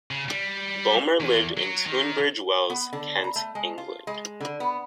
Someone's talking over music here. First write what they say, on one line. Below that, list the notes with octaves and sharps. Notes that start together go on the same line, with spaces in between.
Bulmer lived in Tunbridge Wells, Kent, England.
C#3
G3
E2
F#3
D#3
B3
D3
A#5
A3
G#3
F4
G#3
D3
B3